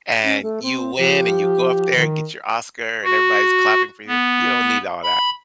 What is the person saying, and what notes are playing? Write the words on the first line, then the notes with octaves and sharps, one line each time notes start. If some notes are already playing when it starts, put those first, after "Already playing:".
and you win, and you go up there, and get your Oscar, and everybody's clapping for you, you don't need all that.
C#4
A3
C4
F3 G4
D#3
F#4
B3
B5